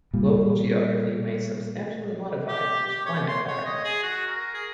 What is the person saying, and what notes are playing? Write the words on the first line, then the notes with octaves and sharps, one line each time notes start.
Local geography may substantially modify these climate patterns.
A#2 G3
G4
G4
C#5
C6
C#5
D#5
G#4
F#4
A#4
G#4